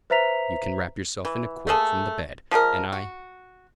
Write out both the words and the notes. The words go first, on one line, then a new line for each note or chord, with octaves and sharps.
You can wrap yourself in a quilt from the bed, and I ...
B4 C5 E5 A#5 B6 F7
E3
A3 A#3 G#4 A4
F3 G#3 G4 A#4
F#4